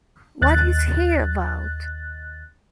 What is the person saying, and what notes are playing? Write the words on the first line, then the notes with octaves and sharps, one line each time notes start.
What is he about?
D#2 F#6 A6